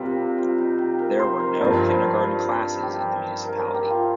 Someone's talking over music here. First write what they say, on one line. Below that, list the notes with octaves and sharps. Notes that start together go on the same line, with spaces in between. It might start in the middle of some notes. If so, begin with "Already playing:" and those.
There were no kindergarten classes in the municipality.
Already playing: C3 G3 F4 G4 A#4
F4
D#4
G4
A#4
C5
A#4
G2 F3 C4
G4
A#4
A#4
G4
F4